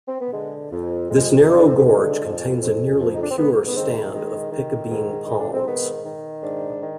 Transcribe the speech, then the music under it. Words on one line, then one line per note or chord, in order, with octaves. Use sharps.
This narrow gorge contains a nearly pure stand of Piccabeen Palms.
C4
B3
D3 G#3
F2
F2 G#3
F2 D#4
D4
C4
B3
D3 G#3
F2
F2
F2
D#4
D4
C4
G#2 B3
B3
D#3 C4
D#3 G#3
D#3
G#2
G#2 D#4
D4
C4
D#3 B3
D#3
G#2 D4
D#3